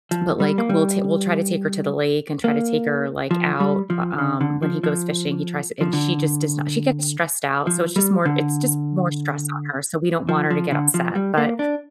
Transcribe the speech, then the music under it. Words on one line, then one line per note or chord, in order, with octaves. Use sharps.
but, like, we'll t we'll try to take her to the lake and try to take her, like, out, bu um, when he goes fishing, he tries to and she just does not she gets stressed out, so it's just more it's just more stress on her, so we don't want her to get upset, but,
F3
G3
A#3
G3
A#3
F3
G3
F3
D3
D3
F3
F3
F3
D3
F3
G3
D3
F3
F3
D3
F3
G3
A#3
D4